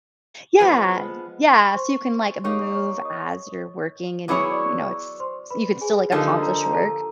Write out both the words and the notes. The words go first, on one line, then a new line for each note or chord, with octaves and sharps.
Yeah. Yeah, so you can, like, move as you're working, and, you know, it's s you could still, like, accomplish work,
F3 G#3 B3
C6
C#6
C5 C6
A#3 D#4 G4 C#5 C#6
C#5 C#6
D#5 D#6
F#3 B3 E4 G#4 C#5 D6
C#6
D5 D6
C5 C6
B4 B5
G#4 G#5
D3 F3 A#3 D#4 G4 A4 A5
A#4 A#5
A#5
A4 A5